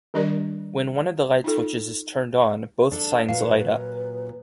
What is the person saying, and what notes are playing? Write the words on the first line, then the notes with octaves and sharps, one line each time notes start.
When one of the light switches is turned on, both signs light up.
D#3 G3 D4 G4 A#4 D5
D#4 F4 A4
D4 A4
A#2 F#3 B4 F5